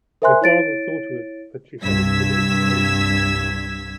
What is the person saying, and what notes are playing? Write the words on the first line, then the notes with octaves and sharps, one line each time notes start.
Her father saw to it that she had a good education.
A#4 C5 E5 G#5 C6 F#6
E4 C#5 A6 D7
C2 G2 E6 G#6 B6